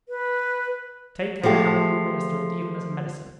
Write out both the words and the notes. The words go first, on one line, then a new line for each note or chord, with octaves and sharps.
Take care how you administer it even as medicine.
B4
F3 G#3 A3 G4